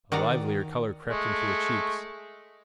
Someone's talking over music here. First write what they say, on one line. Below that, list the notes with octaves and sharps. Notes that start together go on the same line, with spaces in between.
A livelier colour crept into her cheeks.
D#3 F#4 D5 A#5
G#3 A3